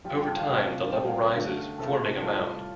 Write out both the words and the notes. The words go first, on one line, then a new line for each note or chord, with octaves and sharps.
Over time, the level rises, forming a mound.
G2 G3 F4 G5
C6
G5
A5
F5
C3 A3 C4 F4 A4 G5
G3 C4 A4 C5 G5
F5
G5
D3 A3 D4
C3 A3 F4 A4 A5
C6
A2 G3 F4 A4 D5 A5